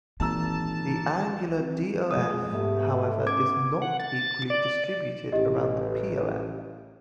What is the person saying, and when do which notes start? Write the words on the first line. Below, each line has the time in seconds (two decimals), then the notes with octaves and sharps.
The angular DoF, however, is "not" equally distributed about the PoF.
0.20 G#1 A#2 E3 A5 A#5 E6
1.56 C4
2.11 F2 B2 G#3 D#6
2.53 G#2 A3 B3 G4
3.27 B3 C#4 D6 G#6
3.82 F#5
3.99 A6
4.50 D5
5.32 A1 G4 D#5